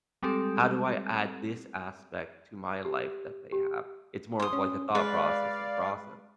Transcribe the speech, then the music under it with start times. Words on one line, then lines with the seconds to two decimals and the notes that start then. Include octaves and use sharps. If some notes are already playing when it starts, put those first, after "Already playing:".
How do I add this aspect to my life that they have?" It's more of, like, a thought process, and processing,
0.23 G3 G#3 C4 G4 A4
2.85 G4
3.53 G4
4.40 C6 D#6
4.53 C#4
4.95 G#3 B4 D5 F5